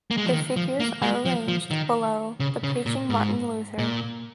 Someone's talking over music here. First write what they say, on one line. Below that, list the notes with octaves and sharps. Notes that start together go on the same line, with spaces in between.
The figures are arranged below the preaching Martin Luther.
A#3
G#3
F3
D#3
F3
A#3
G#3
F3
F3
D#3
C#3
C#3
A#2
G#2
A#2